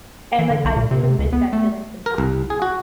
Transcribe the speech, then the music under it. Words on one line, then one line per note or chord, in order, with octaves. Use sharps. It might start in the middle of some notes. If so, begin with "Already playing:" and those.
and, like, I do miss that feeling sometimes
E3
D3
B1
A#2
C3
C3
C#2
B3
A3
A#4
C2
G#4
F#4